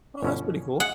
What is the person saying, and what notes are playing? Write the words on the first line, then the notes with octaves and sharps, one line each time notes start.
Oh, that's pretty cool.
G1 B2 C#4
G#4 F#5